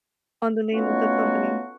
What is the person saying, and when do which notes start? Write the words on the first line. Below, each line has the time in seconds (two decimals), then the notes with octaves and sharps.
on the name of the company.
0.73 A3 B3 C#4 D#4 F4 F#4